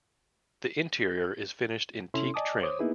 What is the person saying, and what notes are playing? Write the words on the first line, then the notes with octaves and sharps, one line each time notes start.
The interior is finished in teak trim.
C3 C#4 E4 A4 C6
D5 D#5 G#5 A5 D6 D#6
C5 C#5 D6 D#6
A#3 B3 D#4 E4 G#4 B4